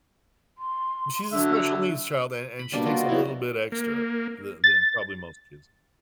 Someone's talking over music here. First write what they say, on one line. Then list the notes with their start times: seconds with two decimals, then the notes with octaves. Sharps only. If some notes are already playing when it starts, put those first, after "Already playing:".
She's a special needs child, a and she takes a little bit extra tha than probably most kids.
0.58 C6
1.33 D3 F#3 D4 E5
2.59 B5
2.72 B2 G3 A#3 D4
2.85 F4 F#4 D5 D#5
3.09 F#3 B3 D#4 E4
3.72 A#3
4.64 A6